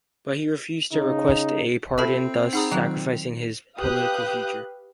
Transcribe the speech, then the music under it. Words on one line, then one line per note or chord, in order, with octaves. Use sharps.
But he refused to request a pardon, thus sacrificing his political future.
C#3 D#4
C4 F4 G4 A4 E5 A5 B5
D#4 G#4 F#5 A#5 B5 D#6
D#3 F#3 F4 F5 F#6
G4 B4 F5 D#6 F#6 G6